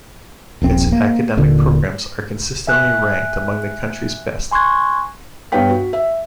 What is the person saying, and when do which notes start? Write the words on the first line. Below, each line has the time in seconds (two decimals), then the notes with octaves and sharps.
Its academic programs are consistently ranked among the country's best.
0.62 D#1 A#1 C4
0.92 A#3
1.37 D#1 A#2 D3
2.67 E5 G#5 F#6
4.51 G#5 C6 C#6 F#6 G#6
5.52 G2 B3 B4 C#5 G5 B6
5.70 F#4
5.93 E5